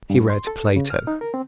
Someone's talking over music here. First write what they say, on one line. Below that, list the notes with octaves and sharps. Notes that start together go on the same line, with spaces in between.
He read Plato.
G2
C6
A4
C#3
F6
D#4
A#4
C4